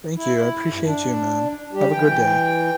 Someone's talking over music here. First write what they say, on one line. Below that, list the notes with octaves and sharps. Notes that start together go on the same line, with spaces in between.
Thank you, I appreciate you, ma'am. Have a good day.
E4
G2
D4
G3 G4
E3 G5